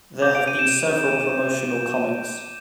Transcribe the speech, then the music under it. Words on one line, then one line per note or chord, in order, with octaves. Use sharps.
There have been several promotional comics.
D6 G6
D7
D#7
E7